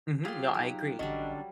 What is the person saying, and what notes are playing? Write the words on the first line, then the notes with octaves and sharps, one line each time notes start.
Mhm. No, I agree.
F#3 F4 G4 G#4 C6
D#4 A#4
A1 D3 F#3 G3 C#4 D4 D#5